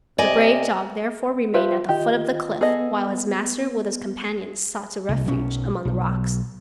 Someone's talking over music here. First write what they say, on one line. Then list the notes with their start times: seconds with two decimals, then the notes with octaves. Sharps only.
The brave dog therefore remained at the foot of the cliff while his master with his companions sought a refuge among the rocks.
0.18 C3 D5 D#5 G#5
1.54 F4 B4 C5 E5
1.89 D#3 F4 G4 D#5
2.61 B3 G#4 A4 D#5
5.09 C2
5.26 B1 C#4
5.85 B1